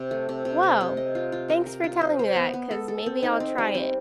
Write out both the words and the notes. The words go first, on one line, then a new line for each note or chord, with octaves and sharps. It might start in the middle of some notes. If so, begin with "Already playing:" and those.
Well, thanks for telling me that, 'cause maybe I'll try it.
Already playing: C3
A3
C3
C3
C3
C3
D#5
F4
F4
A#4
A#4
F4
C5
C5
B3
B3
A4
A4
C4
D#4
C4
G3
C4